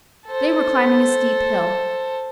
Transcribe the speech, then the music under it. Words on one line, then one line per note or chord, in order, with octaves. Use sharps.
They were climbing a steep hill.
A4 C5